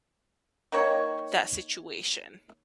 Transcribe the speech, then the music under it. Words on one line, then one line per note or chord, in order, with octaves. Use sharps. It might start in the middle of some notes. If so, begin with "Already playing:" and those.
that situation?
D#3 A#3 C#5